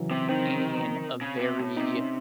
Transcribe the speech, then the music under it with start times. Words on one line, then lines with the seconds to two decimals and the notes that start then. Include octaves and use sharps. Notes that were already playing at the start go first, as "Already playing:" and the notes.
in a very
Already playing: C#3 E3 F#3
0.11 C3 C4
0.29 D#3 C4
1.21 C#3
1.40 C3
1.58 A2
1.77 C3 D#4
1.95 C#4